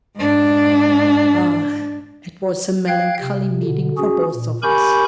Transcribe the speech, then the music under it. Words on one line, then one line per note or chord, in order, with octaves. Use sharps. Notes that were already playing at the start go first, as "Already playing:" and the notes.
Ah, it was a melancholy meeting for both of us.
G#2 D4
F5 G5 F#6 G#6
C3
B2 D3
C#4 F#4 G#4
A#2
G4 A#4 G#5 B5 C#6 G6